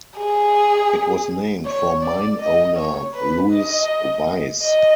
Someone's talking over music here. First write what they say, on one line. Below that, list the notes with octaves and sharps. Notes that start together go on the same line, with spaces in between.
It was named for mine owner Louis Weiss.
G#4
C#5
D5
D#5
C#5
B4
D#5
D#5